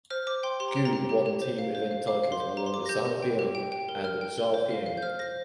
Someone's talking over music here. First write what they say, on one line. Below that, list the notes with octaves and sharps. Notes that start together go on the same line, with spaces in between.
Gu won team event titles along with Zhang Bian and Zhou Ying.
C5 F6
C5 D6
G5 C6
G4 C6
A#5
G4 G5
A#5
G4
G4
G4
C5
F5
C5
F5
F5 D6
F5
C6
C5
G4 A#5
C6
G4 D6
A#6
G4 G6
G4
G5
G4
G5
G5
A#4
A#4 F6
G5
A#4
C5
F5
F5
G6
C5 F6
C5 A#6